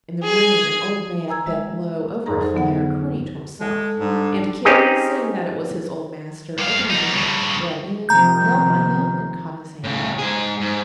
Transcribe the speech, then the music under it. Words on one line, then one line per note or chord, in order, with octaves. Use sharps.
In the room an old man bent low over a fire crooning to himself, and Kit, seeing that it was his old master, opened the door, ran in, knelt by him and caught his hand.
G#4 G#5
G#5 A#5 E6 G#6
G#3 E5 E6
F2 G#2 D#4 G#4 A#4 A#5
F#3 D#4 A4 C5
D3 B3 F#5
G#3 A4
G#2 G3 D4
C4 C#4 D#4 G4 G#4
G2 F5
B2 D#4
G2 C#3
C3 D#3 F3 A#5 G6
A2 C#3
G#2 G#4
G#2